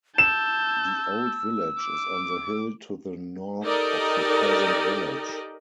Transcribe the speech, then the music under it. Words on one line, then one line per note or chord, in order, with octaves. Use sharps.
The old village is on the hill to the north of the present village.
A5 E6 G6 E7
D6
D#4 G4 A4 A#4 D5 D#5